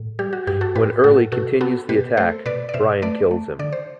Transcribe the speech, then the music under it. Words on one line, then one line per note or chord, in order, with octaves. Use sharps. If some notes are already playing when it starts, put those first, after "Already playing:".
When Early continues the attack, Brian kills him.
Already playing: A2
G3 G4
F#4
G2 G4
F#4 A4
A2 G4 B4
A2 F#4 A4
B2 F#4 A4
B3 F#4 A4
B2 G4 B4
A3 A4 C5
B2 B4 D5
D5
B2 C5 E5
A3 B4 D5
A3
D3 D5
C5